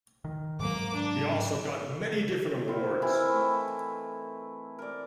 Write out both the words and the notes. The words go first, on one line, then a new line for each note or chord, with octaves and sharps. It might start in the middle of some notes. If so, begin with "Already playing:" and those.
He also got many different awards.
D#3
G#2 F#3 A#3 D6
D4
D#3 E4 F4 C5
E3 C4 E4 A#4
A3
A#4 D5